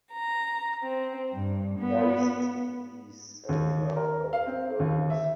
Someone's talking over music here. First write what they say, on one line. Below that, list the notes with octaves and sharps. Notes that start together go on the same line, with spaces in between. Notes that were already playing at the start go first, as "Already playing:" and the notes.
Dali city is the centre of the province.
A#5
C4
G2
B3
D#2
A#4
F5
C4
D#2
E5